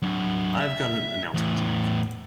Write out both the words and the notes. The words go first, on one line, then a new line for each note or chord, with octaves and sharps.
Iâve got an announcement to make.
F#3 D4
E5
E2 A2